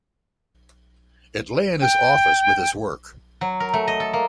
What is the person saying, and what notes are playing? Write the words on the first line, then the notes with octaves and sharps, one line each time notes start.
It lay in his office with his Work.
G5
F#3
A#4
A3
D#5
A4
A#3